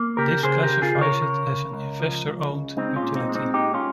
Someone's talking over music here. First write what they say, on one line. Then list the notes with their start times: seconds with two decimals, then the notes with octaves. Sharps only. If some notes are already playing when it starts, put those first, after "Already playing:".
This classifies it as an investor-owned utility.
Already playing: A#3
0.17 C#3 G4 A#4
0.43 C#3 G#4 C5
0.63 G4 A#4
0.70 C#3
0.82 F4 G#4
0.95 C#3
1.01 A#4 C#5
1.22 C#3
1.47 C#3
1.73 C#2
2.00 F3
2.25 C#2
2.51 C#3
2.76 G#3 C4 D#4
2.96 C#4 F4
3.03 A#2
3.15 C4 D#4
3.29 G#3
3.35 C4 D#4
3.54 A#2 D#4 G4
3.74 C#4 F4